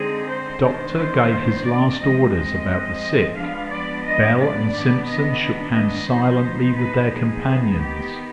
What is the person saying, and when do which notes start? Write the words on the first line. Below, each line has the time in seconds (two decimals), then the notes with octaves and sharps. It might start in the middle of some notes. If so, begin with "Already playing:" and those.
The doctor gave his last orders about the sick; Bell and Simpson shook hands silently with their companions.
Already playing: D3 G#3 C4 D#4 G#4
0.27 C5
0.61 D#3 B3 D4
0.95 C5
1.64 D5
1.99 F3 G#3 C4 D#5
2.32 D#5
3.35 F3 G#3 B3 D4 F5
3.69 D5
4.04 D#5
4.37 D5
4.72 C3 D#3 B3 D4
5.05 D#5
5.75 D#5
6.09 F3 B3 D#4 C5
6.78 B4
7.12 G#4
7.46 D#3 B3 D#4
7.80 G4